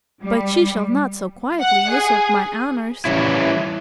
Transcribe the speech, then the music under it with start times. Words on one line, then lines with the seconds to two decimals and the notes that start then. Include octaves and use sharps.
But she shall not so quietly usurp my honors.
0.24 G3
1.60 F#5
1.90 G#4
3.05 E3 G3 C#4 E4